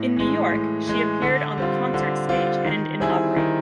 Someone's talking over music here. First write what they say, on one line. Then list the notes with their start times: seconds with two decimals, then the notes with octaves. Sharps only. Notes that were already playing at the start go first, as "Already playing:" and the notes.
In New York, she appeared on the concert stage and in opera.
Already playing: A2
0.16 E3 G#3
0.51 A2
0.87 E3 G#3
1.22 D3
1.58 G3 C4 F4
1.94 D3
2.29 G3 C4 F4
2.65 D#3
3.00 G3 C4 E4 G#4
3.36 D#3